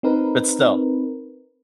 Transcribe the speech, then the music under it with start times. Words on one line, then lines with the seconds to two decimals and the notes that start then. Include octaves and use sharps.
but still.
0.03 C4 D#4 A#4 B4